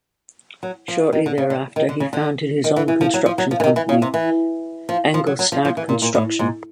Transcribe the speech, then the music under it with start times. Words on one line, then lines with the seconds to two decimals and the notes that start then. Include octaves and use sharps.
Shortly thereafter, he founded his own construction company: Engelstad Construction.
0.63 F#3
0.88 F3
1.13 D#3
1.26 D3
1.38 C#3
1.50 D3
1.76 D#3
1.89 D3
2.00 C#3
2.13 D3
2.64 D#3
2.76 E3
2.88 E3
3.01 F3
3.14 F#3
3.26 F3
3.38 F#3
3.51 F3
3.60 E3
3.64 D#3
3.76 E3
3.89 C#3
4.02 C3
4.14 E3
4.89 F3
5.14 F3
5.27 F#3
5.39 F#3
5.52 F3
5.65 F3
5.77 E3
5.89 A#2
6.02 A#2
6.15 A2
6.39 G#2